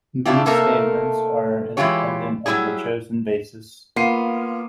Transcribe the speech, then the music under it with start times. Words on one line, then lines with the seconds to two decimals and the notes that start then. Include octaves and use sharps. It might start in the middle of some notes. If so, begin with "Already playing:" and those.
These statements are independent of the chosen basis.
0.25 A2 C#3 D4 E4 F4 G4
0.46 C3 A3 A#3 D#4 A4 A#4
1.77 E3 G#3 E4 F4 G4 C#5
2.46 F#3 G3 E4 G4 G#4
3.96 A#3 B3 F4 C7 D#7